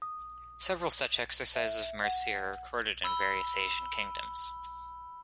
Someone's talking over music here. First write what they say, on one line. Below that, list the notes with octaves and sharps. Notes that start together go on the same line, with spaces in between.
Several such exercises of mercy are recorded in various Asian kingdoms.
D#6
E5
F#5
B5 E6 G7